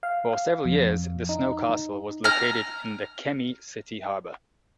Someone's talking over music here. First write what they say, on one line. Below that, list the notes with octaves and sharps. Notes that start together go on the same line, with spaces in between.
For several years the snowcastle was located in the Kemi city harbor.
F5
F2
D#4
A#5 F6